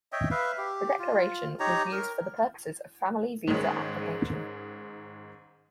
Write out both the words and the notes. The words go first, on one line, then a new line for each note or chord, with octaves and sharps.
The Declaration was used for the purposes of family visa application.
C#5 D#5 E5 G5
B4 E5 F5
G4
F4
D#4 G4 C#5 A#5
A#4
G#2 D#3 G#3 C#4